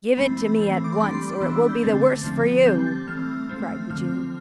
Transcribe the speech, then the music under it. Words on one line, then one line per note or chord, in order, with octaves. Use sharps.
Give it to me at once, or it will be the worse for you!' cried the Jew.
E3 A3 C4 B5
E3 A3 C4
D6
C6
G3 D4 B5
C6
D6
E3 B3 D4 E6
G6
D3 A3 C4 A6
D3 F3 C4
D3 G3 C4 G6
A6
E3 A3 C4 F6
F3 A3 C4
D3 F3 C4 F6